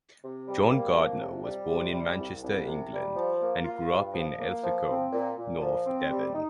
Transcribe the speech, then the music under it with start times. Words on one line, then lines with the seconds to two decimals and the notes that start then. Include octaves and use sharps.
John Gardner was born in Manchester, England and grew up in Ilfracombe, North Devon.
0.22 C3
0.46 G3
0.70 A#3
0.95 F2
1.20 C3
1.44 G3
1.68 C3
1.93 G3
2.17 C2
2.42 C2
2.67 C3
2.91 G3
3.16 F3
3.41 A#3
3.64 F4
3.89 G2
4.14 F3
4.39 A#3
4.63 F3
4.88 C4
5.12 A#2
5.37 A#2
5.60 F3
5.85 C4
6.10 G3
6.35 D#4